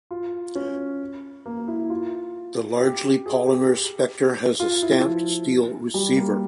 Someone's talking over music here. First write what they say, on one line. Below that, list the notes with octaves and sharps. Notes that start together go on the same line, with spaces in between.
The largely polymer Spectre has a stamped-steel receiver.
F4
C#4
A#3
E4
F4
G4
G#4
G4
F4
E4
F3
G3
A#3